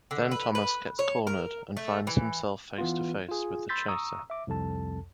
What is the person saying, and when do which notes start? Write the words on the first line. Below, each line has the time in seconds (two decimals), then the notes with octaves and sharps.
Then Thomas gets cornered and finds himself face to face with the chaser.
0.11 D3
0.31 B4
0.55 B4
0.99 C#5
1.27 A#4
1.77 A3
2.07 E3
2.78 E3 B3 F4
3.29 F4 G#4
3.69 B5 C6 E6 G6 A6 B6
3.88 A#5 C#6 D#6 E6
4.30 E5 D6
4.47 C2 F2 A4 A5